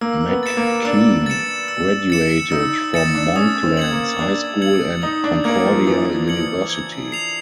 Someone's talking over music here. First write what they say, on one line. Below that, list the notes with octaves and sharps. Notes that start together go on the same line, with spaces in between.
McKean graduated from Monklands High School and Concordia University.
A#3 E6
B3
A6 C#7 E7
A#3
D4 E6
A6 C#7 E7
E6
A6 C#7 E7
D#4 E6
D#4 A6 C#7 E7
D4
C#4 D#6
C4
G#6 C#7 F#7
A#3
D4 D#6
G#6 C#7 F#7
D#4 D#6
D4
A#3 G#6 C#7 F#7
F3
E3 D#6
G#6 C#7 F#7
G#6
C7 F7